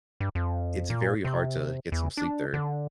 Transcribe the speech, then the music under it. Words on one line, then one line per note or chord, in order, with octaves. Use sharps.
it's very hard to get some sleep there.
G2
F2
A#2
C3
E2
D4
D3